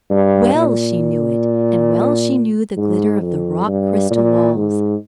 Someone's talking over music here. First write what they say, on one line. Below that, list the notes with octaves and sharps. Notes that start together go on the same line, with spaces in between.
Well she knew it, and well she knew the glitter of the rock-crystal walls.
G2
A#2
G#2
F2
G2
A#2
G#2